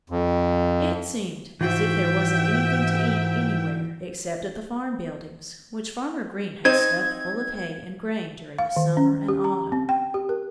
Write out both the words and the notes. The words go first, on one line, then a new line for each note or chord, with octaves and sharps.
It seemed as if there wasn't anything to eat anywhere except at the farm buildings, which Farmer Green had stuffed full of hay and grain during the summer and autumn.
F2
G#2 E3 F4 F#4 E5 G5
C4 D#4 C5 G#6
F5
D#3
C#4
G4
A#5
C4
G5
G4
A#4